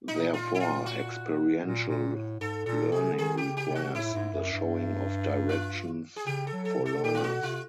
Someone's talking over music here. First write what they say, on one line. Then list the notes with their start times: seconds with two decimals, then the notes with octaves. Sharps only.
Therefore, experiential learning requires the showing of directions for learners.
0.08 A#2 D#4
0.34 F4
0.54 E4
0.60 F4
0.86 F#4
1.64 A#2
1.88 A#2
2.15 A2
2.40 G#2 A4
2.66 A#2 A4
2.92 C3 G#4
3.12 D3
3.18 D#3 G#4
3.37 G4
3.43 C#3
3.57 G4
3.69 C3
3.75 F#4
3.95 A2 E4
4.14 G#2
4.33 F#2
4.53 G2
5.49 F4
6.16 G#4
6.26 C#3 G4
6.47 A4
6.53 F#3
6.65 A4
6.79 C3
6.86 A4
7.04 A#2 G4
7.15 F4
7.24 B2 F#4
7.43 C3 F4